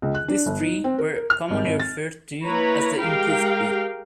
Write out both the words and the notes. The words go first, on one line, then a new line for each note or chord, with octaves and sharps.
These three were commonly referred to as the Improved B.
C#2
F#6
D4
G1
D#4
C4
A#4
A#4
F6
G#1
G#1
A6
A#3 E4 B4 C#5 A#5 B5
G#3 G4 A#4 F5 G5